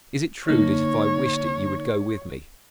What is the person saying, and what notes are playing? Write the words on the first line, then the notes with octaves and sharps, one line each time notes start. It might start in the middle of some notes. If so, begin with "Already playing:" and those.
"Is it true that if I wished it you would go with me?"
D3 A#3 D#4 C#5